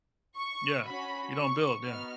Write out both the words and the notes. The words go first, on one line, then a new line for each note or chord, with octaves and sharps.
Yeah, you don't build, yeah.
C#6
C#4 F#4 B5
C#6
B3 D#4 F#4 F6